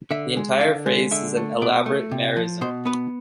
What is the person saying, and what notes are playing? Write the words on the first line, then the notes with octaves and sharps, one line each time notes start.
The entire phrase is an elaborate merism.
D3 E5
G#3
D3 F5
G#3
D3 E5
A3
B2 D5
A3
C3
F3
B2 C5
B3 B4